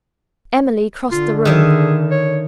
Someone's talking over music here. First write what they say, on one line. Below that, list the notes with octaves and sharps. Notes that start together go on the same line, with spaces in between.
Emily crossed the room.
D3 F4
D#3 G#4 E5
C#5